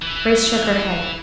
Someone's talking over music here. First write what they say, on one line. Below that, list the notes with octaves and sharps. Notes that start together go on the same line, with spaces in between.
Grace shook her head.
E3